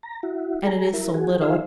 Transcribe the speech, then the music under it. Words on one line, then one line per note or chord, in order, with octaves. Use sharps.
And it is so little!
A#5
E4 F#4
G#4 A#5
E4 A#4
F#4 G#4
D#4 F4 G#4 C5 E5 F5